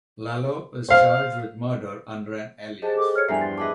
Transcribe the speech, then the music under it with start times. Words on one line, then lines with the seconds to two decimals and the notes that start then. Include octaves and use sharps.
Lalo is charged with murder under an alias.
0.89 C5 F5
2.82 G4 G#4 C5 D#5 A5
2.97 A4 D6
3.16 C#5 F6 C#7
3.28 E2 G2 F3 E5 G#5 A#5 C7
3.41 C6 A6
3.58 G#4 B4 D#5 E5 A5 D6